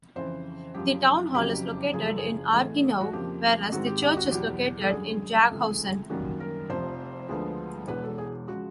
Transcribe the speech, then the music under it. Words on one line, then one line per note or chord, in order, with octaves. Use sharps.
The town hall is located in Argenau, whereas the church is located in Jaghausen.
F2 C#3 E3 C5
F#2 C#3 F3 G4
F#1 F2 C#3 F#3 G4
F#1 F#2 C#3 F3 G#4
A4
G#4
A1 A2 E3 A3
F#4
F2 C#3 F3 A#3 G4
G#2 D#3 G#3 C4 F#4
G4
G4
F#4
E2 B2 F#3 G4
A4
F#2 D3 G3 G#4
C#2 C3 E3 A3
F#2 D#3 G3 A#3 C#4 F#4
A#4
F1 F2 C3 F3 C5
D2 D3 F3 G#3 B3
E1 E2 B2 G#3 B4
A4
G#4
C#3 F3 G#3 F#4